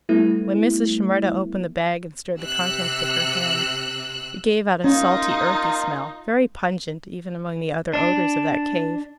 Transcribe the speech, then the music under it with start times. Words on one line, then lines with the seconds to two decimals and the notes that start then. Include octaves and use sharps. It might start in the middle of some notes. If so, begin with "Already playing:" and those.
When Mrs. Shimerda opened the bag and stirred the contents with her hand, it gave out a salty, earthy smell, very pungent, even among the other odors of that cave.
0.09 G3 A3 B3 E4
2.38 C3 E6 F#6
4.84 A#3 C#4 D#4 F4
7.93 D4